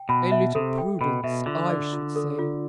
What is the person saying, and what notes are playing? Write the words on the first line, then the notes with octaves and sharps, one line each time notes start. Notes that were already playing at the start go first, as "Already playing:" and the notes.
"A little prudence I should say."
Already playing: G5
B2 B5
E5
C3 A4
G5
B2 B5
B2 E5
D3 F4
D5
F4
A4
F4